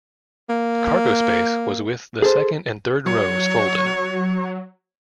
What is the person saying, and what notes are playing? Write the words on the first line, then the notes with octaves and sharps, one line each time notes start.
Cargo space was with the second and third rows folded.
A#3
G#4 A4 C5
F#3 C#5